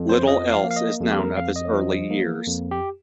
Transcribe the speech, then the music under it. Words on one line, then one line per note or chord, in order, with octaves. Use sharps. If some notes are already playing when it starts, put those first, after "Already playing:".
Little else is known of his early years.
Already playing: F2
C5
F3 D#5
F5
A#3
F5
D#5
F2
G4
A#4
F2 F5
D#5
F3
A#3
F2
G4